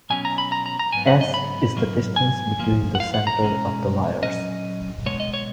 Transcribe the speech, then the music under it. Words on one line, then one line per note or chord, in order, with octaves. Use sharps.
"S" is the distance between the center of the wires.
B1 B2 F#3 C#4 G#5
A#5
B5
A#5
A#5
A#5
G#2 F#3 B3 G#5
F#5
D#5
B5
G#2 F#3 A#3
G#5
F#2 F3 A#3
F#5
F5
F#5
A#5
B2 G#3 C#4
A#2 F#3 C#4 D#5
B2 G#3 B3 C#5
D#5
C#5